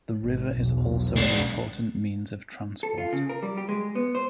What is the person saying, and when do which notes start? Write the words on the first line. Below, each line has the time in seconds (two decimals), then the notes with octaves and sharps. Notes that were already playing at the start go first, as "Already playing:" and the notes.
The river is also an important means of transport.
0.23 G#1
0.54 B1 E2
1.16 G#3 D4
2.83 A4
2.98 F4
3.13 C#3
3.29 A#4
3.43 G3
3.57 G4
3.69 G#3
3.95 B3
4.15 C5